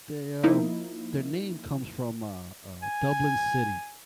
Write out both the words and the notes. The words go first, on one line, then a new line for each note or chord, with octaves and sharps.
they, um their name comes from, uh uh, Dublin City,
F3 A#3 D#4 E4
G#5